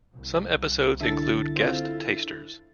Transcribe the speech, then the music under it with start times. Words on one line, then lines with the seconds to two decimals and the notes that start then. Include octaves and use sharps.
Some episodes include guest tasters.
0.13 C2 A#3
1.01 D3 E4 A4 E5 A6
1.56 C4 F4